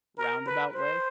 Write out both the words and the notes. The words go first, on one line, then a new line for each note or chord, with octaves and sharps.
roundabout way.
A#4
B4
C5